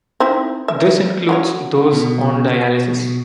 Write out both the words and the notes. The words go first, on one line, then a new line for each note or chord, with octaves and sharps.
This includes those on dialysis.
C4 D#4 E4
E5
F#3 F4 C#5
B2